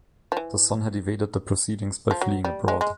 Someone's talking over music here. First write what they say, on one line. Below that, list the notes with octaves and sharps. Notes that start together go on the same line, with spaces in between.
The son had evaded the proceedings by fleeing abroad.
F3
E3
F3
F#3
G3
G#3
G#3